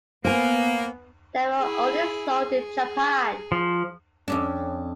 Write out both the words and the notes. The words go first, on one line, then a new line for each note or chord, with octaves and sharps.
They were only sold in Japan.
A#3 B3 C5 G#5
E4 G#4
G#4
F3
F2 C#4 D4